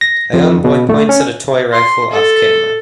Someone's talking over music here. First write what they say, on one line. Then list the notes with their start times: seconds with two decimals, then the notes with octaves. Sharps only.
A young boy points a toy rifle offcamera.
0.01 A#6
0.33 F2
0.64 B2
0.89 A3
1.09 C#4
1.72 C6
2.11 A4